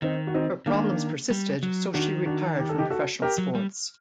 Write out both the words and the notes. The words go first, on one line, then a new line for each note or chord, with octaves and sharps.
Her problems persisted, so she retired from professional sports.
D#3 C4 D#4
F#4
C4 D#4
D#3 A#3 D4
G3
F#3
D#3 D4 F#4
D4 F#4
G4
A4
D#4 G4
F#4 A4
G4 A#4
F#3
G3